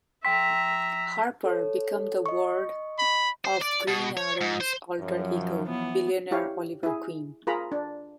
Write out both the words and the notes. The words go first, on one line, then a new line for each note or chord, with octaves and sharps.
Harper became the ward of Green Arrow's alter ego, billionaire Oliver Queen.
F3 E5 G5 A#5 C6 B6
A4 C#5
D#5 C#6
B5
C5
D5
B2
C#5
G#2
C5
F#2 F3 F#3
E3 B3
E4 G4 C#5 F5
E4 G#4
F4 G#4 A#4 A#5 B5
D4